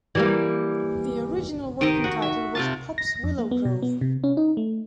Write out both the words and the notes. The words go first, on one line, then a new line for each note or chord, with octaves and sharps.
The original working title was "Pop's Willow Grove".
E3 G3 A#3
D#3 G4 D#5
F#4
E5
C3 F4 A5
A#6
F2
A#3
B3
B2
B3
C3
C#4
D#4
A3